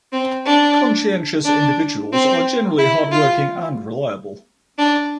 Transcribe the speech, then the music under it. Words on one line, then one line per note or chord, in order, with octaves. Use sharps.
Conscientious individuals are generally hard-working and reliable.
C4
D4
D4
C4
E4
F4
D4